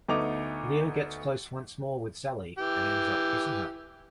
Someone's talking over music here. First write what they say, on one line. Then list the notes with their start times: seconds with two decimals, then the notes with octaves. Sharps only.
Leo gets close once more with Sally, and ends up kissing her.
0.08 D2 A3 B3 D#4 D6 F7
2.58 E3 G4